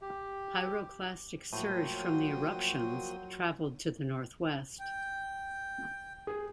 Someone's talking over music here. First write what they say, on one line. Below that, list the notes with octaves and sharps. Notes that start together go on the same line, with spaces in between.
Pyroclastic surge from the eruptions traveled to the northwest.
G4
A2 F3 F#3 A#3 F#4 G5 C6 D#6
G5
G#4